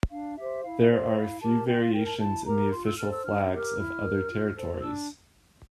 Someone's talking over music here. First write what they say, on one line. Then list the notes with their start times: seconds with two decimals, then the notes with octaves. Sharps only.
There are a few variations in the official flags of other territories.
0.11 D4 F5
0.37 G4 C5 E5
0.63 E4 F5
0.82 E5
0.89 A4 C5 F5
1.15 E4 F5
1.41 G4 A#4 A5
1.67 F4 G5
1.80 F5
1.93 A#4 G5
2.06 A5
2.19 E4 A5
2.46 G4 A#4 A#5
2.72 F4 C6
2.85 E6
2.98 A4 C5 F6
3.11 E6
3.24 D4 F6
3.51 G4 A#4
3.59 F6
3.77 E4
4.03 A#4
4.28 F4
4.56 A4 C5
4.81 D4 E6